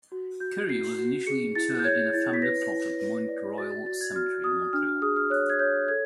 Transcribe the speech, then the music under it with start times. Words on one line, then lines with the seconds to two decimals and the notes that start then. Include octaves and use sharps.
Currie was initially interred in a family plot at Mount Royal Cemetery in Montreal.
0.12 F#4
0.40 F#4 G6
0.69 F#4 C7
0.98 F#4
1.27 G#4 C#7
1.55 E4 A6
1.79 G6
1.84 C#5 G#6
2.13 E4 A6
2.34 B6
2.42 B4 A#6
2.71 E4
3.00 B4
3.28 D5
3.58 F#4 A6
3.72 A6
3.86 F#4 A6
4.01 G#6
4.15 F#4 F6
4.44 F#4 D#6
4.73 D4 F6
4.87 F6
5.02 G#4 D#6
5.16 F6
5.30 C#5 F#6
5.50 G#6
5.59 C#5 G6
5.88 A4 G#6